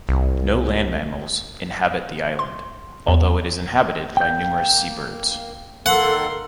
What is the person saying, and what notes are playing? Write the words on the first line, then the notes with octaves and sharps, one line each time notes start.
No land mammals inhabit the island, although it is inhabited by numerous seabirds.
C2
C6
E2
A#3 G5 G6
D#3 A#3 A4 A#4 F#5 C6